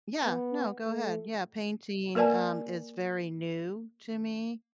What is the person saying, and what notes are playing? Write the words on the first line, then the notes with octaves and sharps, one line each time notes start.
yeah. No, go ahead, yeah, painting, um, is very new to me.
B3
A3
A#3 A#4 B4 D5 G#5 A5